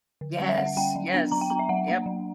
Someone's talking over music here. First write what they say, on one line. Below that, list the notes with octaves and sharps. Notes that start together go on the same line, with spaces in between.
Yes, yes, yep.
D3
G3 C#4
E5
D3 F#5
G3 C#4 G5
F#3
B3 D4
F#3 A#5
G5
B3 D4 A#5
E5
F#3 F#5
A#3 D4
F#3